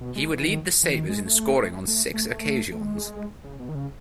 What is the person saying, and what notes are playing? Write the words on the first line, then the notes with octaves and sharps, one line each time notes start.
He would lead the Sabres in scoring on six occasions.
B2
G#3
E3
D#3
E3
D#3
G#3
A3
A3
A3
A3
G#3
C#3
B2
D#3
C#3